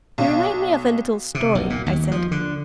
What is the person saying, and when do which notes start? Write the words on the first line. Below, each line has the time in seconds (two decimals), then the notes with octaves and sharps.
"You remind me of a little story," I said.
0.18 B1
1.35 C3
1.55 B1
1.70 A#2
1.86 D#2
2.11 F3
2.31 D3